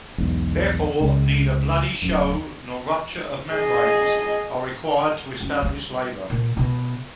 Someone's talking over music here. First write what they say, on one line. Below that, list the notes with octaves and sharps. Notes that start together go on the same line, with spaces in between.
Therefore, neither bloody show nor rupture of membranes are required to establish labor.
B1 E2 G#2
C#2 C#3
D1 F#2
G#4 D#5
F#2
G3
A#2
B2